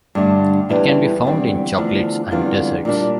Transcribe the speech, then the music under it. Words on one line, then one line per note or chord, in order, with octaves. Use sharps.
It can be found in chocolates and desserts.
G2 D3 A3
E2 E3 G3 D4 G4
E2 D3 G3 C4
E2 D3 F3 A3
E2 D3 G3 C4 F4
A#2 G3 D4